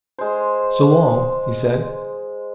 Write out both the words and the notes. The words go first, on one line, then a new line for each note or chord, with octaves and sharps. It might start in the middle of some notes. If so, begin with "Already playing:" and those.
"So long," he said.
G#3 C5